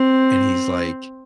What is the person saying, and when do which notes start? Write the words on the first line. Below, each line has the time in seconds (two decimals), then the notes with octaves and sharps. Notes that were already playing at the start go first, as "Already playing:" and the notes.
and he's like,
Already playing: C4